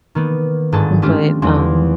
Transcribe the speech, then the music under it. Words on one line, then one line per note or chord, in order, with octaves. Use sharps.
but, um
D#3 A#3 B3
G1 G#2 G#4 A4 A5
G#3 A3 C#4 D4 F4 G4
E2 D#3 F3 G#3 C4